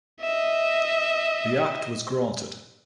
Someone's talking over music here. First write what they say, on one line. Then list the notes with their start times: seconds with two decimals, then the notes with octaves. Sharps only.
The Act was granted.
0.21 D#5 E5